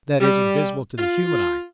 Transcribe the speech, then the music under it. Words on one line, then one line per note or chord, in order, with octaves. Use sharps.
That is, invisible to the human eye.
G3
F4